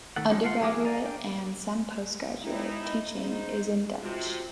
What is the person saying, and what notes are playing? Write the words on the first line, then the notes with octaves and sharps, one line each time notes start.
Undergraduate and some postgraduate teaching is in Dutch.
D#3 A3 A4 F#5
F3 G3 G#3 C#4 D#4
F4 F5 F#5 C6
E3 F#3 G#4 A#4 D6
D5 G#5 A#5
D4 G5
G#3 D#4 E4 G5
D#5 B5
D#4 G#4 C5
C3 F4 F#4 C5